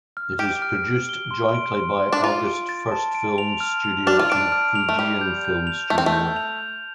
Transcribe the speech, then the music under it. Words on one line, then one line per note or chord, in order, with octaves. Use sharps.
It is produced jointly by August First Film Studio and Fujian Film Studio.
F6
G4 D7
F6
D7
G7
C6
D7
C6
C6
D4
F4 C6
D7
A6
A5
D7
F7
F6
F7
D4 F6
F4
D4 D7
F6
F7
A3
G3 F7
G6
G6
F7
A3 F7
C4
A3
G6
F7
G6